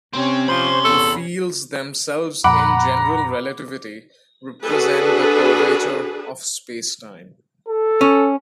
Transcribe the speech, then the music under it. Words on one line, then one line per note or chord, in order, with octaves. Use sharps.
The fields themselves in general relativity represent the curvature of spacetime.
C3 C4 C#4 C#5
F3 C5 B5 C6
E2 A4
F2 A#2 F#5 A#5 B5 D6
D4 F#4 G#4 A4 B4
A4
C#4